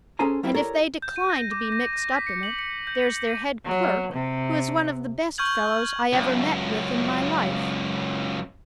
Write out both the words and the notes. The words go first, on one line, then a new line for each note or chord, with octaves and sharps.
And if they decline to be mixed up in it, there's their head clerk, who is one of the best fellows I ever met with in my life.
C#4 G#4 A4 C5 G#5 A#5
F#3 G3 C4 E4 A#4 E5
E4 G4 A4 A#4 C#5 D5
G6
D#7
A#6
D6
A#6
A#6
B6
C#7
F#7
C#7
G6
D#7
F#3
C3
C#6 F6 G6 G#6 F#7
C#2 F#2